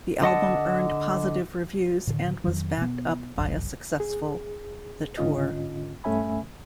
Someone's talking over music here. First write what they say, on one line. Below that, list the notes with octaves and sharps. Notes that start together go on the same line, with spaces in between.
The album earned positive reviews and was backed up by a successful the tour.
D3 D#5 F#5 A5
A2 D3 D#3
F2 D#3 F#3
B2 B3
G1 C2 F#2
G#4
G#2 D3 C#4 F4 D#5
G2 A3 C#4 E5 G#5 B5